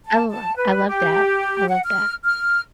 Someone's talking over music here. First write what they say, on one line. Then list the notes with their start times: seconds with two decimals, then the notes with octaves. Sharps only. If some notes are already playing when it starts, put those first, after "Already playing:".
I l I love that, I love that.
0.06 A5
0.29 A5
0.56 B4
0.88 G4
1.68 F#5
1.85 F6
2.24 F6